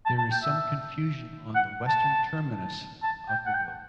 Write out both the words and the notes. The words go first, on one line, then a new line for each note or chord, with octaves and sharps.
There is some confusion on the western terminus of the road.
A5
A5
G5
E5
F#5
A5
A5
G5
F#5
G5